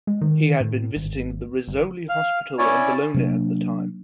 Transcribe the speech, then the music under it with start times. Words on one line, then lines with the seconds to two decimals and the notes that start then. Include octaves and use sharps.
He had been visiting the Rizzoli Hospital in Bologna at the time.
0.07 G#3
0.21 D#3
0.60 A2
0.96 G#1
1.68 G1
2.09 F5
2.58 C#4 E4 C#5 D5 G#5
3.14 C3 F#3 A#3 D4